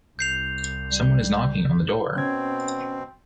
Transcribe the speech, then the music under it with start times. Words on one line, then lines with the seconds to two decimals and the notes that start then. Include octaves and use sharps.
Someone is knocking on the door.
0.19 C2 G6 C7 F7
0.89 G3
2.16 B2 C4 C#4 G#6